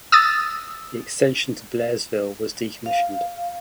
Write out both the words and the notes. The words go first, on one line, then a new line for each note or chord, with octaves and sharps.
The extension to Blairsville was decommissioned.
D#6 E6 A6
F5